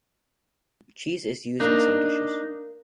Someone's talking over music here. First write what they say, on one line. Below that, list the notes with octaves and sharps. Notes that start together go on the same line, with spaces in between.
Cheese is used in some dishes.
A#3 D4 D#4 A#4